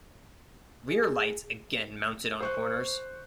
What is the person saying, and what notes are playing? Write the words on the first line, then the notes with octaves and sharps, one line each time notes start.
Rear lights again mounted on corners.
G#4
C5 C#6 F#6